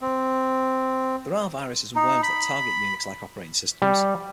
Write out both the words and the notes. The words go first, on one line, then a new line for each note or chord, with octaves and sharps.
There are viruses and worms that target Unix-like operating systems.
C4
D#4
B5
G3